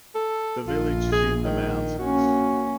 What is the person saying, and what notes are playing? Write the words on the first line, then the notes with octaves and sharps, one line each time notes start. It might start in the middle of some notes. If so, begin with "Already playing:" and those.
The village is in the mountains.
A4
A#1 F4
G#4
D#3
A#3 C#4 F#4